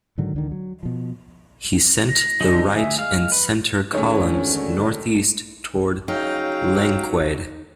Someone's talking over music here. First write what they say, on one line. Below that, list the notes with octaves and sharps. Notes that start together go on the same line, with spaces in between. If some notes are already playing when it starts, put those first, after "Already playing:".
He sent the right and center columns northeast toward Langquaid.
G#2 D3 D#3 F#3
C#2 D3 D#3
F#3
B2 F3
A#6
D3 F#3 G#3 D4 D#4
D2 G#4 E5
G#3 F5 F6
B4
G#1 D2 D3 D#3 A3 C#4 G#4 C#5
C#3 F#3 D#4 F5 G5